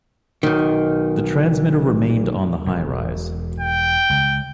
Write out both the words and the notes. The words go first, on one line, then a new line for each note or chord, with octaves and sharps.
The transmitter remained on the highrise.
B1 D#3
E1 B2
G5
C#2